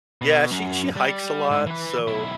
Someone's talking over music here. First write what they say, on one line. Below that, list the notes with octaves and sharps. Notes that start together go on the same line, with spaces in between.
Yeah, she she hikes a lot, so
B2
F#2
G3
G#2
E3 B4
B1 E4